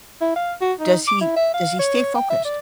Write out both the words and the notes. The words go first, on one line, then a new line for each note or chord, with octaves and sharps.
does he does he stay focused?
E4
F5
F#4
D#4
D6
E4
E5
F5
C#5
G5
E5
D5